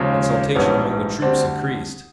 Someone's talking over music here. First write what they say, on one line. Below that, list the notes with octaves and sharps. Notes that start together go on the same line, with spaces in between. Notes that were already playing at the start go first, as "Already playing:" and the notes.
Exultation among the troops increased.
Already playing: D#2 C#3 F3 G#3
A#1 G#2 E3 G3 B3 C#4
D2 D3 G3 C4 D4